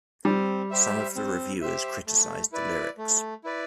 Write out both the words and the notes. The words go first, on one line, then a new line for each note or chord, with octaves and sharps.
Some of the reviewers criticized the lyrics.
G3 C4
G4 C5 E5
C4
G4 C5 E5
A3
E4 B4 D5
A3
E4 B4 D5